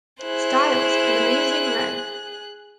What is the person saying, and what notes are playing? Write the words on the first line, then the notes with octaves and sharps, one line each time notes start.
Styles and Amazing Red.
E4 G#4 C5 F#6